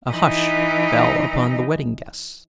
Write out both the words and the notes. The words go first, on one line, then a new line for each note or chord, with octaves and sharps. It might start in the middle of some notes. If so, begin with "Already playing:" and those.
A hush fell upon the wedding guests.
E3 D#4